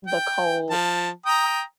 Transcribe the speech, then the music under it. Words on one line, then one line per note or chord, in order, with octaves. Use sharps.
The cold.
G5
F3 A5
G5 A#5 D#6